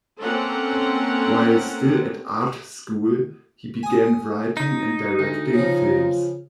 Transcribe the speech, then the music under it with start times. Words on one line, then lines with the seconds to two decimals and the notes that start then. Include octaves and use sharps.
While still at art school he began writing and directing films.
0.20 A#3 C4 C#4 A4 F#5 A#5
3.83 G#5 D#6
4.57 D#4 B5
5.19 D2
5.54 C#3 F3 F4